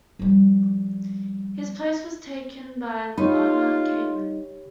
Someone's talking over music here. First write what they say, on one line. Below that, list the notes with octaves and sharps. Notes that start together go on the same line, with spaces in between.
His place was taken by Lana Kaelin.
F3 G3
D#4 F4 G4 C#5 B5